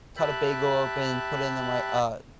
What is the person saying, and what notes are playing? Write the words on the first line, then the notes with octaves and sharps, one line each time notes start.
cut a bagel open, put it in my, uh,
G4 E5 G5 A5 B5 F#6